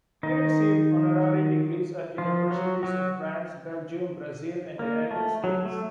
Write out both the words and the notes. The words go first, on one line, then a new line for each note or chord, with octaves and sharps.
He received honorary degrees at universities in France, Belgium, Brazil and the United States.
D#3 D#4
F3 F4
F#3 F#4
F#3 F#4
A#3
A3
F#3
A3